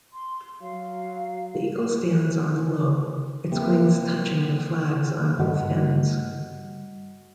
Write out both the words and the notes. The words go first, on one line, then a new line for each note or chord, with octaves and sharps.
The eagle stands on the globe, its wings touching the flags on both ends.
C6
F#3 F5
C3 A#3 G4 B4
G2 G3 F#4 D#5 F#5